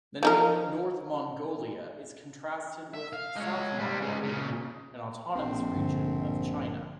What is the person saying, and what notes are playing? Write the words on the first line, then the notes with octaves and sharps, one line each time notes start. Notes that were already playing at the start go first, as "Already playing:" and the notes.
The name "North Mongolia" is contrasted with South Mongolia, an autonomous region of China.
F3 D#4 A#4
E5
F5
G#3 C#5
G3 C4
C#2 C#3
A#2 C#3
A#1 C4
G2 D3